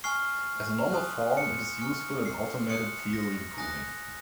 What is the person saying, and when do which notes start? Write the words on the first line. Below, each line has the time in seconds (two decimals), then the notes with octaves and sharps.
As a normal form, it is useful in automated theorem proving.
0.04 G#5 C#6 F6 C7
0.92 G#5 C6 D#6 F#6
1.37 C#7
1.81 G#5 C#6 F6
2.25 C7
2.69 C6 D#6 F#6 C#7
3.13 A#6
3.58 G#5 D#6 F#6 A#6